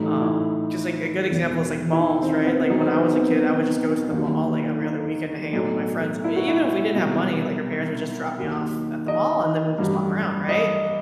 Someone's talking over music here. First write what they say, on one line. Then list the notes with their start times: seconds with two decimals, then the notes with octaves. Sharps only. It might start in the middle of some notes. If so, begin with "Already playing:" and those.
Um, just like, a good example is like malls, right, like, when I was a kid, I would just go to the mall, like, every other weekend to hang out with my friends, w even if we didn't have money, like, our parents would just drop me off at the mall and then we just walk around, right?
Already playing: A1 A2 F#3 D#4
0.21 E4
1.29 E1 E2 B2
1.93 E4
1.99 D#4
2.22 C4
2.46 B3
2.70 B1 B2 F#3 D#4
2.79 C4
2.88 B3
2.96 C4
4.11 D#2 D#3 F#3
4.82 D#4
5.53 B1 A2 F#3
6.24 E4
6.36 F#4
6.48 E4
6.95 C2 B2 F#3
8.37 D#2 D#3 F#3
9.08 D#5
9.78 A1 G2 F#3
10.49 D#5